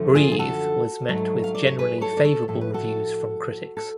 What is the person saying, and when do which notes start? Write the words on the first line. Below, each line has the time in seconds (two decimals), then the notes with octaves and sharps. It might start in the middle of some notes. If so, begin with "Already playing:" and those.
Breathe was met with generally favorable reviews from critics.
Already playing: F#2 D3 F3 A3
0.15 F4 G#4
0.32 G#4
0.39 F#4 A4
1.09 G#2 F#3 A3
1.44 F5
1.55 D5
1.67 C#5
1.79 G#4 B4
2.01 A4 C#5
2.17 D5
2.25 A4 C#5
2.48 A2 F3 A3 A4
2.61 B4
2.74 F#4 A4
3.77 A4